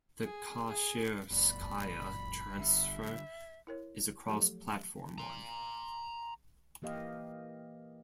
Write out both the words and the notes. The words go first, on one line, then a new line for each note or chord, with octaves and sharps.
The Kashirskaya transfer is a cross-platform one.
G#4
G#4
F#1 F#2 A#2 D5 B5
D3 G3 E5
E4 A#4 C#5
F3 F#3 A3 G4 A4
A#5 C6
E3 A#3 G4 D#5 F5